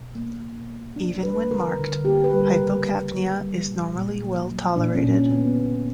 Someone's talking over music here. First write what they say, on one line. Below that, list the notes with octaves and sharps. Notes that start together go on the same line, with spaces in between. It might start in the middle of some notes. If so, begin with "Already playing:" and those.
Even when marked, hypocapnia is normally well tolerated.
Already playing: B2
A#3
B2
A#3
A#3 D4
G3 B4
D3 A#4
D3
A#3 G4
B4
G3
A#4
C#3
C#3
A#3
G3
A#2
A#2
A#3
F#3
A#2 D4
C#4
A#2
C#4
D3 B3
A#3